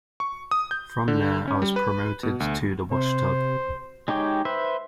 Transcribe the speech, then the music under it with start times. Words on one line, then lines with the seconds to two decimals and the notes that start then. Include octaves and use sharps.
From there I was promoted to the washtub.
0.20 C#6
0.51 D#6
0.71 G6
1.08 D3
1.48 C#4
1.62 G3
1.76 B4
2.23 B2
2.40 D2
2.91 C3 C5
4.08 G#3 D#4 G4 C#5 G5
4.45 B4 C5 E5